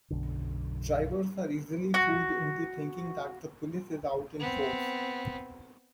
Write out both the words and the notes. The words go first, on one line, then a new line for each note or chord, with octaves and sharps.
Drivers are easily fooled into thinking that the police is out in force.
B1 F#2 D3
F#4
B3 C4